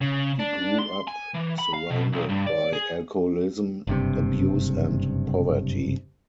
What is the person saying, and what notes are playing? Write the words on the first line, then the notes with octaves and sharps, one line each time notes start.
He grew up surrounded by alcoholism, abuse and poverty.
C#3
D4
C6
G#5
E3
B5
F5
B2
B1
G2
D5
G#4
F#1 G2 C3